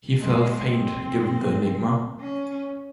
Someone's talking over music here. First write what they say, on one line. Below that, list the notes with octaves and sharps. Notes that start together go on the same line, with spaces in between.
He felt faint given the enigma.
G#3
C4
C#4